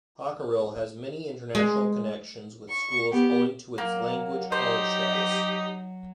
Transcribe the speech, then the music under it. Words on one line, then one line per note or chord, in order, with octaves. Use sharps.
Hockerill has many international connections with schools owing to its Language College status.
G#3
C#6
B3 G4
F#3 A#3
D#4 G4 C5